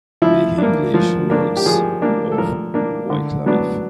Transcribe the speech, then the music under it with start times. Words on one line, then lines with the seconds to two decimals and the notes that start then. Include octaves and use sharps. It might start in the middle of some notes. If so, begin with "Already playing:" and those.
"The English Works of Wyclif".
0.22 F3 E4
0.58 A#3 D4
0.94 F3
1.30 A#3 D4
1.57 G4
1.66 F3 G#4
2.02 A#3 D4
2.32 A4
2.38 F3 A#4
2.74 A#3 D4
3.10 D3
3.46 F#3 B3 D4